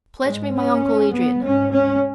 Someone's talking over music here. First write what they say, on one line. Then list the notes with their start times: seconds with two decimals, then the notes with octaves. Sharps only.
Pledge me my uncle Adrian!
0.24 G#2 G#3
0.53 C#4
1.12 B3
1.40 G#2 C#4
1.70 C#4